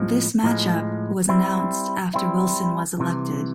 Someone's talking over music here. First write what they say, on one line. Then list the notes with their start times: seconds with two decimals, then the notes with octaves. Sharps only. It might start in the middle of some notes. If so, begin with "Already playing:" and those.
This matchup was announced after Wilson was elected.
Already playing: A2 F3 G#3
0.43 A2 F3 G#3
1.29 G3 C4 E4
2.14 G3 C4 E4
2.98 C2 C3 E3